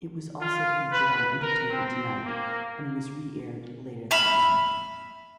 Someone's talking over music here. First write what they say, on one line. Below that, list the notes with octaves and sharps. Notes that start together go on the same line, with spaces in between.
It was also featured on "Entertainment Tonight" and was re-aired later that month.
F4
B4
A#4
C4
A#3
E5 B5 F6